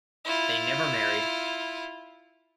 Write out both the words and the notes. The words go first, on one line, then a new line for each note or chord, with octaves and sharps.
They never married.
E4 F4